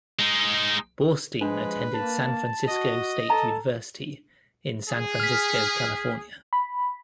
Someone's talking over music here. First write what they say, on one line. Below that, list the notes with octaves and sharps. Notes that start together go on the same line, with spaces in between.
Borstein attended San Francisco State University in San Francisco, California.
G#3 D#4
F3 G#3 D4 B4
A#3 A5
F#4 D#5
A4 A5 A#5
G#4
F6 B6
B5